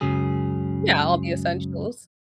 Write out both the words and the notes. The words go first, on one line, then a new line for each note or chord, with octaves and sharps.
Yeah, all the essentials.
C#2 F#2 C#3 F#3 G#4